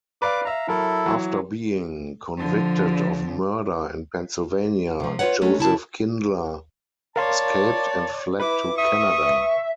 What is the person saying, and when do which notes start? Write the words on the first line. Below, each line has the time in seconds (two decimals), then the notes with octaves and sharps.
After being convicted of murder in Pennsylvania, Joseph Kindler escaped and fled to Canada.
0.22 B4 D5 F5 D6
0.45 E5 F5 A#5
0.68 F#3 E4 A4 A#4
1.06 E3 F#3
2.38 D3 F3
5.00 C3 F3
5.19 F4 G4 B4 C#5 F#5
5.41 F#3 G#3 A3 C#4 D4
5.59 C#3 E4 A5
7.16 A#4 C#5 D5 F5 A5 C6
8.40 E4 B4 D6
8.78 E5 C#6 D#6